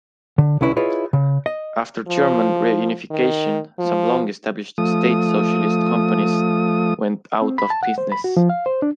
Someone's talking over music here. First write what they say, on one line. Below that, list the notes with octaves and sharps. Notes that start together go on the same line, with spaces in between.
After German reunification some long-established state socialist companies went out of business.
D3
C2 D3 C#4 E4 B4
E4 F4 G#4 B4 C#5 D#5
C#3
D#5
F3
D#3
F3
F3 A3 D#6
C4
B5
A5
F#5
C5
B5
F#4
F3
F5
C5
D4